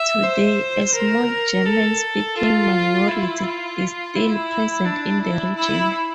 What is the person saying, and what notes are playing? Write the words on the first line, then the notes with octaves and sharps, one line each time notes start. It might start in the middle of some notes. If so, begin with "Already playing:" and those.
Today, a small German-speaking minority is still present in the region.
Already playing: E5
C5
A#4
A4
F4
E4
F4
E4
D4
E4
E4